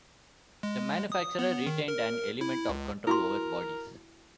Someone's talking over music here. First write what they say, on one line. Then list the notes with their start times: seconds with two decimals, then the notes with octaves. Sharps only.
The manufacturer retained an element of control over bodies.
0.63 G#3
1.12 D#6
1.39 B3
1.67 D#3
1.88 A#4
2.41 E4
2.69 C#2
3.07 E4 F#4 A#4 C6